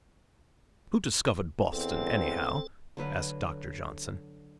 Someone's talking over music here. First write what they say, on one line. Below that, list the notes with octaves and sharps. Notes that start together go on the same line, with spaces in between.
"Who discovered Boston, anyhow?" asked Doctor Johnson.
E2 C4 A4
D3 F#3 B4 F5